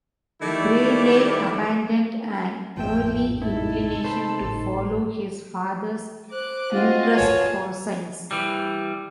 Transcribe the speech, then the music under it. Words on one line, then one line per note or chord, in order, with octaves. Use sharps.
Brayley abandoned an early inclination to follow his father's interests for science.
D#3 G3 A3 E4 D5
A1 F2 G#2 F3 E5 G5
C3 D#4 E4 A4
C5 A5 B5
G#1 A2 C#3 D#4
C5 D6 F#6
C4 F4 F#4 D#5
G#4 B4 C#5 A5
E3 G3